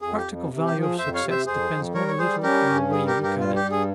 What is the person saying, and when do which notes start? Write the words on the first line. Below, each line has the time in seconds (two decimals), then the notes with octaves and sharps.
The practical value of success depends not a little on the way you look at it.
0.02 F2 G#4
0.17 G4
0.26 F2
0.50 C3
0.66 G4
0.74 F3
0.82 G#4
0.98 F2 C5 E5
1.14 C#5 F5
1.22 C3
1.30 C5 E5
1.46 F2 G#4 C5
1.70 F2
1.94 G3 A#4 C#5
2.08 C#5
2.19 G3 G#4 C5
2.43 C#4 G4 A#4
2.68 G2
2.91 G3 G#4
3.07 G4 A#4
3.16 G2
3.23 G4 A#4
3.40 G3 F4
3.56 G4
3.64 G2
3.71 G#4